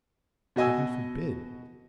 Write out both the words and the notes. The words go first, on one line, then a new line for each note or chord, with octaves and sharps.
Heaven forbid!
B2 F#4 D#5 G#5 E6